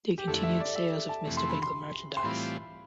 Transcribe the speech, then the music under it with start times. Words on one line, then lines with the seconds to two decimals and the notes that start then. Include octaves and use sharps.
They continued sales of Mr. Bingle merchandise.
0.18 G4
0.28 F2 D3 A3 E4 A4
0.43 E5
0.60 D5
0.76 E5
1.09 A5
1.25 F2 C3 E3 A3
1.37 C6
1.49 B5
1.62 C6
2.17 C6
2.23 A2 E3 G3 C4 F4 B5